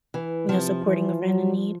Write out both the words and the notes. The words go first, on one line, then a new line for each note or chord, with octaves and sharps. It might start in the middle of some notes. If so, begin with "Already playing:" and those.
you know, supporting a friend in need?
E3
C3 F3
E3
F#3